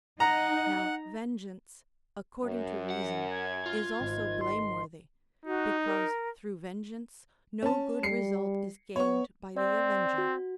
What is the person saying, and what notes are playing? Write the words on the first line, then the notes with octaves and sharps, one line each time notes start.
Now vengeance, according to reason, is also blameworthy, because through vengeance no good result is gained by the avenger.
D#4 F#5 A#5
F#2
F#5
G#6
F4
G#1
C6
D#4 F#4
A#4
C#4 A5
G3 C7 C#7
B3 C#5 C#6
C4 D5
F#4